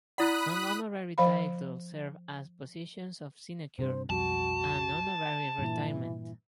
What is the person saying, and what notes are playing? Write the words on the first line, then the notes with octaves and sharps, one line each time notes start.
Some honorary titles serve as positions of sinecure and honorary retirement.
E4 D5 F#5 B5 D#6 F#6
F3 C5 F5 B5
G2 C3 C5
B1 F2 G3 F#4 A5
G2 A#2 E3